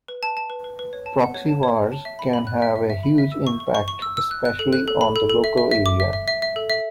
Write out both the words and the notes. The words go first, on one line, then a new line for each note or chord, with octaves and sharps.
Proxy wars can have a huge impact, especially on the local area.
B4
A5
A5
B4
B4
B4
C#5
A5
F#5
C#5
A5
C#5
C#5
A5
E5
B5
B5
F#6
E5
E5
E5
B5
E5
E6
C#6
C#6
C#6
C#6
E6
E6
F#6
F#6
A4
F#6
A4
B5
A4
A4
E5
E5
E5
D6
E5
E5
E5
E5
A4
E5